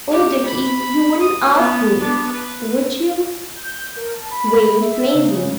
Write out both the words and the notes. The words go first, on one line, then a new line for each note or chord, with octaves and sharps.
Oh, Dickie, you wouldn't ask me--would you?' wailed Maisie.
F#4 G4
B5
D#6
B3
B3 D4
B4
G6
A#4
A5
B5
E5
C#3